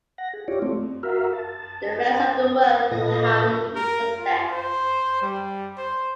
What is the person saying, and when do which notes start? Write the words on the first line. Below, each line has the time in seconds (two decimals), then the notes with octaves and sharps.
The rest of the world hung in suspense.
0.18 F#5 A#6
0.33 G#4
0.48 E4 F4 G4 C#5 D5
0.62 A3 C4
1.03 F#4 A#4 E5 F5
1.33 A5
2.91 A#2 F4 A4 B4 D#5 A#6
3.75 A#4
4.19 F4
4.51 C5
5.22 G3
5.78 C5